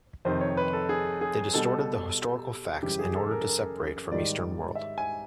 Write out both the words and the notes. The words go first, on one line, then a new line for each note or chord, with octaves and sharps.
They distorted the historical facts in order to separate from Eastern world.
F2 C3 D#3 C5
C#5
B4
A4
G#4
G#4
B2 G3 A4
F#2 C#3 E3 G3 G4
G#4
A4
A#4
A#4
G#2 D#3 G3 D5
E5
G#5